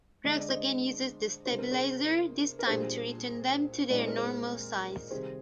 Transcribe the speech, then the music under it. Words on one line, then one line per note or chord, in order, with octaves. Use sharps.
Drax again uses the stabilizer, this time to return them to their normal size.
D3 G#3 D4 D#5
D5
C5 D#5
C3 G3 D4 C5
A#4
G#4 C5
A#4
A#2 G3 D4 G#4 C5
A#2 G#3 C4 D#4 D5
C5
A#4
G#4 C5
C3 D#3 G3 G#4 C5